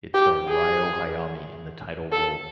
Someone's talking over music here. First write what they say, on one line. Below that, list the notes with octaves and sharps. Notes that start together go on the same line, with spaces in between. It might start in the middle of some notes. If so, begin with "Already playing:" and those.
It starred Ryo Hayami in the title role.
G4
G#4
A4